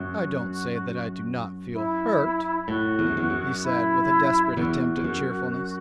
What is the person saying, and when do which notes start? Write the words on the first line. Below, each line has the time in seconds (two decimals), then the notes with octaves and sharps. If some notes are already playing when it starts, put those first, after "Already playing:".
"I don't say that I do not feel hurt," he said, with a desperate attempt at cheerfulness.
Already playing: F#2 F#4
1.73 E4
2.68 A2 F#4
2.99 E2
3.08 F#2
3.17 E2
3.30 F#2
3.63 E4
4.57 E2 F#4
4.97 E2
5.04 F#2